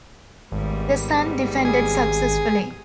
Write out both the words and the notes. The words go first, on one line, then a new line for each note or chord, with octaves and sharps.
The son defended successfully.
G#1 G#2 G3 B3
G#4